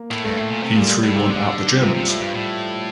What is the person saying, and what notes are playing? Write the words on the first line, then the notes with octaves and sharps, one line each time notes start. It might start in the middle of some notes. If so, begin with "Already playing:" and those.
He threw one at the Germans.
Already playing: A#3
A2
G2 A3
A2
A#2
C3
A#2 G3
A2
C3
D3
C3 F3
C3 G3
A2
G2 G3
A2